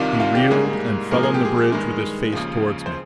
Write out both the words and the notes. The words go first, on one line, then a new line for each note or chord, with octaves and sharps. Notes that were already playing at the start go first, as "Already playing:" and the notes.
He reeled and fell on the bridge with his face toward me.
Already playing: C2 C3 D#3 F4
F4
G4
G#2 G3 A#3 G#4
A#2 F3 G#3 A#4
G#4
G4
G#4
G2 D#3 G#3
D#2 C#3 F3
C5